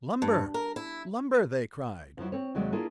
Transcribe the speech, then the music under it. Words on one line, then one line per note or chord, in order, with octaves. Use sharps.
"Lumber! lumber!" they cried.
G2
A#4
E4
F2 F3 F#3 E4
C4 C#5
D#2 C3 F#3 G#3 D5
A#3 D4 E4 F4 G#4 A#4